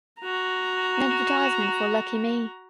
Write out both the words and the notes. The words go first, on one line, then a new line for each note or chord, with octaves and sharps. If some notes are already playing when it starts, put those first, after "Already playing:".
An advertisement for Lucky Me!
F#4 A#5